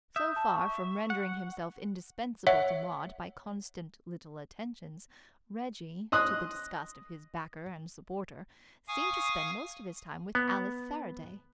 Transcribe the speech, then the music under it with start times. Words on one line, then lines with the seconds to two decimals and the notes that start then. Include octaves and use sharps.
So far from rendering himself indispensable to Maud by constant little attentions, Reggie, to the disgust of his backer and supporter, seemed to spend most of his time with Alice Faraday.
0.16 E5 D#6 G6
0.36 A5
0.54 C#6
1.10 F#5
2.47 C#5 E5 F#5
6.12 D#5 C6 D#6 F#6
8.88 F5 G#5 C#6 D#6
10.35 B3